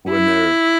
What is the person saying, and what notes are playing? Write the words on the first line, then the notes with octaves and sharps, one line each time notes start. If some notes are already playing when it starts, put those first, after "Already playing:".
when they're
E4